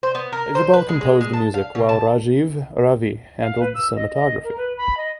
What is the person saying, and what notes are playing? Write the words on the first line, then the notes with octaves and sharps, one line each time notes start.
Bijibal composed the music while Rajeev Ravi handled the cinematography.
C5
B3
A#4
C5
B4
G#3
G#3
G#3
A5
F5
B2
A5
F5
B4
E6
D#5
D#5
A#4
B4
B5
D#5